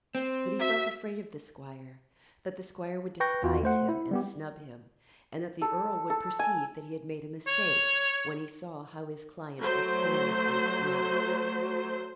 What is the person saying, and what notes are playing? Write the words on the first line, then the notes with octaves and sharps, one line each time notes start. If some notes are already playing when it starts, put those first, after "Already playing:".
But he felt afraid of the squire,--that the squire would despise him and snub him, and that the earl would perceive that he had made a mistake when he saw how his client was scorned and snubbed.
C4
F#4 E5
B4 G5 C#6 G6 A#6
E2 F4 F#4
A3 C5 F#5
E4
G3 B3 G4
A4
A4
G#5
C#5
F#3 A3 C5